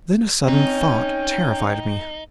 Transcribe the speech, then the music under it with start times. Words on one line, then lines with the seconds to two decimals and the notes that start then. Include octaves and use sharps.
Then a sudden thought terrified me.
0.48 C4 C#4 D#4 G5